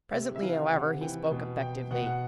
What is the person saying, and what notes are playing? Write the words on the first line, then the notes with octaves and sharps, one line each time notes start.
Presently, however, he spoke effectively.
C3 E5
E5
E3 F5
C3 F#5
E3 G5
B2
G5
B2 F#5
F#5